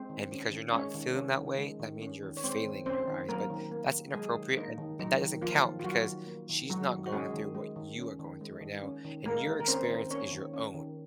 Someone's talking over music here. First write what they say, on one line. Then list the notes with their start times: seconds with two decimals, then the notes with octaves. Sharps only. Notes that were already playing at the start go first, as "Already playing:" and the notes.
And because you're not feeling that way, that means you're failing in her eyes. But that's inappropriate, an and that doesn't count because she's not going through what you are going through right now, and your experience is your own.
Already playing: G#3 C4 C5
0.10 D#3
0.31 C#4
0.51 D#3
0.73 G#3 C#4 C#5
0.94 D#3
1.15 C#4
1.37 D#3
1.58 G#3
1.80 D#3
2.02 C#4
2.23 D#3
2.37 C#5
2.44 G#3 C4 C5
2.65 D#3
2.86 C4 C#4 C5
3.07 D#3
3.29 F#3 A#3 A#4
3.50 D#3
3.71 A#3
3.93 D#3
4.14 F#3 G#3 G#4
4.35 D#3
4.57 A#3 D#4
4.78 D#3
4.99 F#3 D#4
5.21 D#3
5.42 F3 A#3 F4
5.63 D#3
5.79 F4
5.84 F#3 F#4
6.07 D#3
6.27 A#3
6.49 D#3
6.70 F#3 G#3 F#4
6.92 D#3
7.06 F#4
7.12 G#3 C#4 G#4
7.34 D#3
7.55 G#3
7.76 D#3
7.98 C#4
8.19 D#3
8.41 G#3
8.61 D#3
8.83 C#4
9.05 D#3
9.25 G#3 A#3 A#4
9.47 D#3
9.60 A#4
9.68 C4 C#4 C5
9.89 D#3
10.11 A#3 C#4 C#5
10.32 D#3
10.54 C#4
10.74 D#3